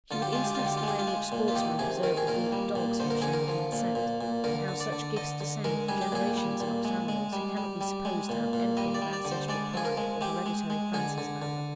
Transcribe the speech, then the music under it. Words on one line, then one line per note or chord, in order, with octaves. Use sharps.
She would instance the way in which sportsmen preserve the breed of dogs who have shown keen scent; and how such gifts descend for generations amongst animals, who cannot be supposed to have anything of ancestral pride, or hereditary fancies about them.
D3 F4
G4
G#3 F4
G4
D3 F4
G4
F4
G#3 G4
F4
G#3
A#2
F4
D#3 G4
C3 G#4
D#3 A#4
G#4
A#2 A#4
G3
A#2
D3 C5
A#4
D3 G#4
A#4
F3
A#2
A#2
A#2
D3 A#4
D3
D5
D3
D3 D#5
D3
G#3 A#4
G3 G#4
G4
A#2 G#4
G3
A#2
G#3
G#3
G3
G3
G3
G#3
A#2
A#2
G3 D#5
D5
G3
D5
D3
C5
G#3 D5
F3 G#4
A#4
G#3
G#3 G4
G#3
G#3
D3 G#4
D3
D3